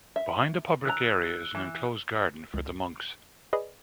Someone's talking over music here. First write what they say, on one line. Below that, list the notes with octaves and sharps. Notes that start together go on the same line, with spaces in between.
Behind the public area is an enclosed garden for the monks.
E5
D#3 F4 A#5 E6 F#6
E3
C#2
G#4 B4 D5 D#5 B5